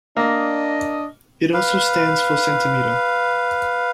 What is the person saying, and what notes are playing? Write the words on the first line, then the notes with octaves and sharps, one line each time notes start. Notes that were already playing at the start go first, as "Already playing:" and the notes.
It also stands for centimetre.
A#3 D4 D#5
B4 F5